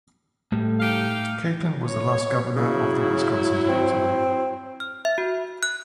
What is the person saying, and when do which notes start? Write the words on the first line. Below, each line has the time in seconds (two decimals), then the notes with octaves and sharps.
Catlin was the last Governor of the Wisconsin Territory.
0.52 A2 G3 A3
0.80 D#4 G4 F5
1.86 C#5
2.56 C#3 F#3 E4
3.68 C4
4.80 F6
5.05 E5
5.18 F#4
5.63 F#6